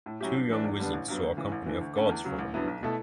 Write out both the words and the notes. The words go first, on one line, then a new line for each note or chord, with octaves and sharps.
Two young wizards saw a company of gods from the mountain.
A2
F#3 C#4 E4 G4
G2
E3 A3 D4
E2
D3 G3 B3 D4
A1
G2 F#3 B3
D2
C#3 E3
A1
G2 E3
D2
D3 A3 C#4
E2
C#3 F#3
A1
G2 F#3 B3 E4
B1
B2 A3 E4 A4